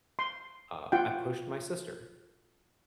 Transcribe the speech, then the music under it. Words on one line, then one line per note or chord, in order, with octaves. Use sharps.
uh, I pushed my sister,
C6
F4 F#5 G5